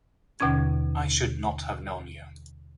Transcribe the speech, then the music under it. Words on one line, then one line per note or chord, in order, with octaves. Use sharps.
I should not have known you.
D#2 B2 D3 C#4 G#6